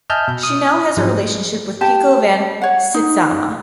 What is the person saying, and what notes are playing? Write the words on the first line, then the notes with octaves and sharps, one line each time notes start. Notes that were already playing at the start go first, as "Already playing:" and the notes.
She now has a relationship with Pico van Sytzama.
D#5 E5 G#5 A5 F6 G6
B2
D#6
G#2 F3 F#3 G#3
G4 A5
C#5 F#5
D#4